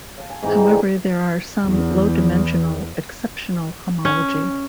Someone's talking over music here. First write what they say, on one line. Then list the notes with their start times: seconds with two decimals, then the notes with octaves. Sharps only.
However, there are some low-dimensional exceptional homology.
0.18 F5 A5
0.30 G#5
0.43 G#2 E3 C4 D#4
0.67 D3 G3
1.63 E2
4.05 C#4